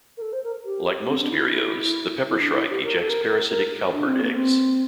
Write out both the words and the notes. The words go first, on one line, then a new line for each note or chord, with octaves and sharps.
Like most vireos, the peppershrike ejects parasitic cowbird eggs.
A#4
A4
C5
A#4
G4
C4
D4
E4
E4
D4
E4
G4
A#4
A4
A#4
A#4
A#4
D4
C4
A#3
C4